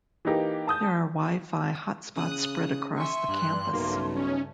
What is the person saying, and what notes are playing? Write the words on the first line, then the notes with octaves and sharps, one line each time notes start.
There are Wi-Fi hotspots spread across the campus.
E3 A#3 D#4 G4
A5 D#6 G6
C#3 D#6 F#6
E5 G#5 C6 C#6
G2 F#6
B1 G2 C#3 A3 A#3
C#4 D#4